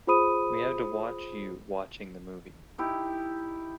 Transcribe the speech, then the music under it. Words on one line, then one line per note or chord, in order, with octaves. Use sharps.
We have to watch "you" watching the movie.
F4 G#4 C5 B5 D#6 D#7
D#4 E4 G4